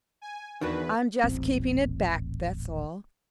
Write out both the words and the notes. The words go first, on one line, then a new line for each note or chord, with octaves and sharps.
"I'm just keeping it back, that's all."
G#5
E2 D#3 D4 F#4 B4
D#1 A1 C4